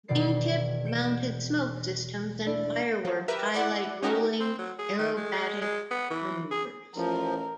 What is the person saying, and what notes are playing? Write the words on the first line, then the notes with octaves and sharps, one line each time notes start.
Wingtip mounted smoke systems and fireworks highlight rolling aerobatic maneuvers.
E1 B2 D#3 D5 C7
G6 C#7 D7 E7
D4 E4 D5
F3 F#3
G4 A#4 B4 E5
E4 D5 F#5
C#4 D#4 F#4 G4 A#4
C4
F#3
G#4
D#3
G#3
G#3
B3
E3
G#4
A1 F3 A#4